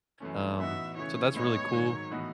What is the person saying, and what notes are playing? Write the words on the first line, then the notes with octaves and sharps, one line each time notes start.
um, so that's really cool
F#2 E3 A3 C#4
A2 E3 B3 D#4 F#4 E5
C#3 E3 A3 E4 C#5
A2 G#3 B3 D#4 C#5
G#2 D#3 F#3
A2 E3 B3 D#4 F#4